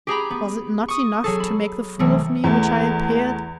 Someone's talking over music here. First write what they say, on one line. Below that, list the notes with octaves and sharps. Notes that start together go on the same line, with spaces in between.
Was it not enough to make the fool of me which I appeared?
G4 G#4 A#5 B5
B3
C#6 D#6
F#3 G#4 A4
B5
C2 E3 F#3 A3
E2 A3